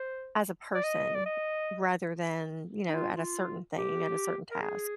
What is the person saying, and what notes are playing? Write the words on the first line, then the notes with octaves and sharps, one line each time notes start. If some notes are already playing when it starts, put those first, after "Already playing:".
as a person rather than, you know, at a certain thing, at a certain task.
Already playing: C5
D5
D#5
D5
D#5
D#4
F4
F4
G4
A#4
G#4